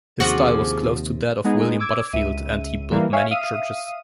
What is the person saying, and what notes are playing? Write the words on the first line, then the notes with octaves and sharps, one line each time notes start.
His style was close to that of William Butterfield and he built many churches.
D#2 C3 F3 C#4 F#4 G#4 D6
G#3 B3 D#4 G#4
D6 E6 G#6
C#2 E5 D#7
E3 G3 A#3
C#5 E5 F5 G#5
E5 F5 D#6 D#7